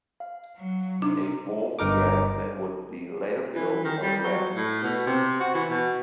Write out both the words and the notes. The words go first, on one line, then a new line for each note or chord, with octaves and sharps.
A fourth grandstand would be later built on Brandsen street.
F5
F#3
C3 D4 D#4
G1 G2 D#4 A#4 D6
E3
D#3
G3
F#3
A2
B2
C3
F#4
E3
B2